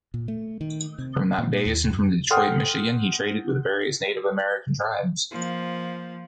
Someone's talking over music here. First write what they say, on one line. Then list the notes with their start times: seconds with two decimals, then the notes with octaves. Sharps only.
From that base and from Detroit, Michigan, he traded with various Native American tribes.
0.14 A#2
0.28 A3
0.61 D#3
0.99 C3
1.38 A#2
1.66 D#2
1.91 F#2
2.30 A4 F#5 G5 C6 D#6 F6
5.31 F3 A#3